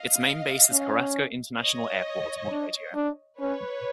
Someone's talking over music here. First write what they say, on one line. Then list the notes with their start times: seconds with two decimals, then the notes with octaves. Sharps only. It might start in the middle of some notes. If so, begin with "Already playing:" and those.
Its main base is Carrasco International Airport, Montevideo.
Already playing: D#5 F5
0.71 C#4
1.61 C#5 D#5
2.51 D4
2.95 D4
3.40 C#4 B4 C#5